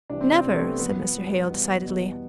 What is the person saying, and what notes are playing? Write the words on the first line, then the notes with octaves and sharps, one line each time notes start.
'Never!' said Mr. Hale, decidedly.
C2 C3 E3 D4
C4
C4
C2 C3 E3
A3
B3
G2 F3 B3
G2 F3
E2 B2 G3 B3
E2 B2 G3